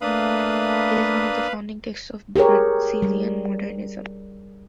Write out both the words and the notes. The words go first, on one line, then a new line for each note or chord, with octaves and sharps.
It is one of the founding texts of Brazilian modernism.
A3 A#3 D4 B4 F5 B5 D#6
G4 G#4 A#4 C#5
G3